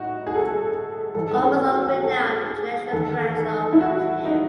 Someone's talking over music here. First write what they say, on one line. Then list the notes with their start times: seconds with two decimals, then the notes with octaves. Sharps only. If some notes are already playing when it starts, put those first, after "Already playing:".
Almost all renowned international brands are offered here.
Already playing: A2 D#4 F#4
0.27 G#4
0.35 A4
0.45 G#4
0.71 A4
1.15 G#2 E3 A4
1.31 A4
1.37 G#4
1.60 F#4
1.81 F#4
2.04 A4
2.48 G#4
2.92 E2 D#3 A4
3.36 A4
3.73 E4
3.81 F#4
4.25 D#4